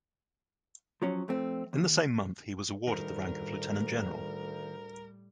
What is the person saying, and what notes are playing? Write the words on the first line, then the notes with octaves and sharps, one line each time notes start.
In the same month he was awarded the rank of Lieutenant General.
F3 F#3 C#4
F2 A3 C4
D#2
D2 A2 D#3 G3 A#4